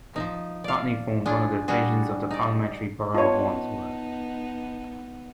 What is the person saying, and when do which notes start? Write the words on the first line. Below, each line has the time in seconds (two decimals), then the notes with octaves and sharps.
Putney formed one of the divisions of the Parliamentary Borough of Wandsworth.
0.16 F3 D#4
0.64 D5 F5
1.26 D4 F4 G#4
1.68 G3 D4 F#4 G#4
2.31 D#4 D5
3.14 B3 D#4 F4 C#5 D#5 A5